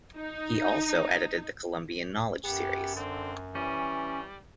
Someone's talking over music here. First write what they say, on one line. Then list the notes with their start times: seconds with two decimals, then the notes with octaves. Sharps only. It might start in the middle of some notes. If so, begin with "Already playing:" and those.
He also edited the Columbian Knowledge Series.
0.16 D#4
2.45 F#2 B3 G4
2.96 D3 C4
3.55 E3 G3 C#4